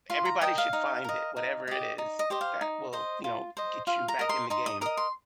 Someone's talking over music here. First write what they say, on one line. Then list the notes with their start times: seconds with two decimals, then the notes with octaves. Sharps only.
everybody should find it, whatever it is, that will, you know, get you back in the game,
0.10 F4 C6
0.25 A#5
0.41 A#4 D#5 G5
0.58 F5
0.73 D#4
1.04 A#4 D#5
1.37 D#4
1.67 G4 D#5
1.98 D#4
2.19 D#5
2.30 G4 C5 D#5
2.41 F5
2.61 D#4
2.93 C5 D#5
3.24 F4
3.57 C5 D#5
3.87 F4 F5
4.08 A#5
4.19 A#4 D#5
4.29 C6
4.50 D#4 C6
4.66 D#6
4.81 A#4 D#5 D#6
4.97 C6